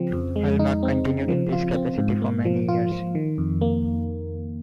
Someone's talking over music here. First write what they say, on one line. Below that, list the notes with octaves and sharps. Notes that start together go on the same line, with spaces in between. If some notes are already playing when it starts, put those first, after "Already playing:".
Alma continued in this capacity for many years.
Already playing: C#3 F3 C4
F2
G#3
D#4
C4
C#3
F3
F4
C4
G#2
A#3
F3
F4
F3
D#3
F2
A#3